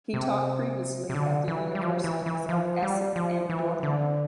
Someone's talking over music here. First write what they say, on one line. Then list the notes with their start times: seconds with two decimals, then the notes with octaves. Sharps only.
He taught previously at the Universities of Essen and Dortmund.
0.14 C3
1.09 C3
1.14 D3
1.48 E3
1.75 G3
1.81 F3
2.04 E3
2.26 E3
2.49 F3
2.83 G3
3.16 F3
3.50 E3
3.83 D3